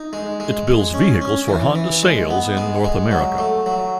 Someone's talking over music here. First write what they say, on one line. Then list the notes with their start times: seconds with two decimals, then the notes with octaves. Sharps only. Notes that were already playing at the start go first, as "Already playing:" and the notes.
It builds vehicles for Honda sales in North America.
Already playing: D#4
0.13 G#3
0.40 G#3
0.67 G#3
0.94 C#4
1.21 C#4
1.48 E3
1.75 E3
2.03 G#3
2.30 B3
2.57 G#3
2.84 G#3
3.11 F#3
3.38 A3
3.66 F#3